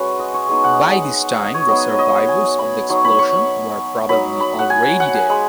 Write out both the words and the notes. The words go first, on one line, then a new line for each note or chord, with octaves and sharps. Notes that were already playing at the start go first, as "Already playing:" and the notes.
By this time the survivors of the explosion were probably already dead.
Already playing: G#3 C#4 F#4 B4
D#5
C#5
G#3 B3 D#4 D#5
F#5
D#5
F#5
D#5
C#5
F#3 B3 D#4 D#5
D#5
G#5
B5
F#3 D#4 C#6
B5
C#6
F#3 D#4 B5
B5
F#5
G#5
F#5
G#5
G#3 B5